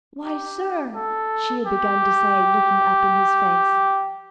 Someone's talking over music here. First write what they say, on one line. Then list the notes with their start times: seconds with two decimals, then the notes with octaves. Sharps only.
"Why, sir," she had begun to say, looking up in his face.
0.24 G4
0.95 A4
1.66 G4